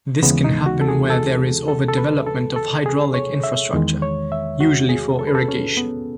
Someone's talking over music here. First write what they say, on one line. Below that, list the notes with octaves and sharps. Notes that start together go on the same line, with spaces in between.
This can happen where there is overdevelopment of hydraulic infrastructure, usually for irrigation.
D#2 C#3 E3 G#3 B3
D#4
F#4
A4
G#4
A4
A4
A4
B4
A4
A4
G#4
C#5
E5
E2 D#3 G#3
C#5
E5
F#4
G#4
A4
B4
A4
C#4
B3